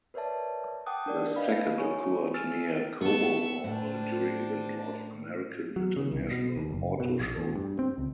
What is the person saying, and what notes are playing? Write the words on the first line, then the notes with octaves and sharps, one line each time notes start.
The second occurred near Cobo Hall during the North American International Auto Show.
A#4 B4 C#5 D5 E5 A5
F#5 G5 A5 D6 D#6 F#6
D4 A#4 D5
B4 D#5 F5 B5
C#5 G#5 C#6
G#5 E6 F6 A6
B3 A4 C#6 E6
A2 D4 C5
F#3
C#3
C2
B2
D#2
F#1
B2
A#1
E2
G2
C4
C#2